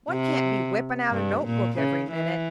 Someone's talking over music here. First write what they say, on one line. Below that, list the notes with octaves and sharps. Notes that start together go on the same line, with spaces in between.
One can't be whipping out a note-book every minute.
C3
G2
A#2
C#3
E3